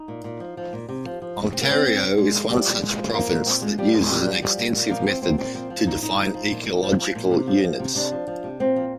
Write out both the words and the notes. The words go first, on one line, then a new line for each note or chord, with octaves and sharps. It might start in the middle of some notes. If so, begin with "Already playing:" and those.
Ontario is one such province that uses an extensive method to define ecological units.
Already playing: D#4
A#2
A#2
F3
F3
A#2
C3
F3
F3
C3
C3 C4
A#3
F3 C4
F3 C4
C3
A#2 G#3
F3
F3 G3
A#2
A#2 G#3
F3
F3 A#3
A#2
A#2 C4
F3 G#3
F3 G3
A#2 G#3
A#2 G3
F3
F3 G3
A#2
A#2
F3 A#3
F3 C4
A#2 C4
A#2 C4
F3 C4
F3
A#2 D#4
A#2 D#4
F3
F3
A#2
A#2
F3
F3
A#2
C3
F3
F3
C3
C3 D4
F3
F3
C3
A#2 C4
F3